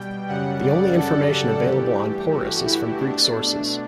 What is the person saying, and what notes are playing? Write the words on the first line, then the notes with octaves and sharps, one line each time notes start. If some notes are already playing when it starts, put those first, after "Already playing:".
The only information available on Porus is from Greek sources.
Already playing: B2 G3 G5
F#2 C#3 G3 F#5
D5
A4
G2 E3 A3 G4
F#4
E4
B2 A3 D4